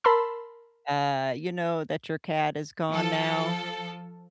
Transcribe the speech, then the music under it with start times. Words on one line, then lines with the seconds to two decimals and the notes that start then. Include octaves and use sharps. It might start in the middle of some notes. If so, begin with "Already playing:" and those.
Uh, you know, that your cat is gone now.
0.04 A#4 A5 B5 C6 E6
2.91 F3 A4